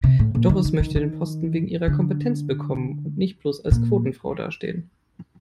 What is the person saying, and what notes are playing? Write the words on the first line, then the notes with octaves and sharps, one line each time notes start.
Doris möchte den Posten wegen ihrer Kompetenz bekommen und nicht bloß als Quotenfrau dastehen.
C3
A2
A#2
D#3
D#3
D#3
D#3
D3
A#2